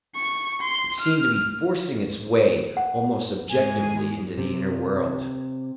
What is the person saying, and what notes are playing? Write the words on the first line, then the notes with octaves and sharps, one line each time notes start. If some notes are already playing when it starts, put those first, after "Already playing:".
It seemed to be forcing its way, almost objectively, into the inner world.
C#6
C6
F6
F#5
G#2 G#3 G#5
C3